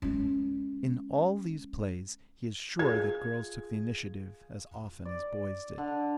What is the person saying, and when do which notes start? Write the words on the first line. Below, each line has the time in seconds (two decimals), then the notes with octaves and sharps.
In all these plays he is sure that girls took the initiative as often as boys did.
0.02 G#3 C#4
2.79 F4 G#4 G#6
5.05 D5
5.78 D3